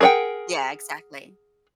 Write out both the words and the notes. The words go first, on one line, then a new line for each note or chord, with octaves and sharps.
Yeah, exactly.
G#4 A#4 D5 F#5 G5